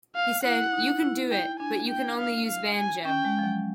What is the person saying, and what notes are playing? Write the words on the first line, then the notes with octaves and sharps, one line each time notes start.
He said, 'You can do it, but you can only use banjo.
F5
E4 F#5
D#4
E4
G5
D4 G#5
G5
F5
F5
G#5
C#4 G5
G#3
F3
F#3